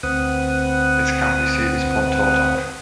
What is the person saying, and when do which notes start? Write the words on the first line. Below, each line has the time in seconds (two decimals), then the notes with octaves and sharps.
Its county seat is Pontotoc.
0.03 D2 C4 B4 F#5 D#6